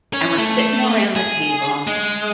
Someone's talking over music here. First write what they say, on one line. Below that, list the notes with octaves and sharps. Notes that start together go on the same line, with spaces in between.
and we're sitting around the table,
C#4
A3
G#4
G#3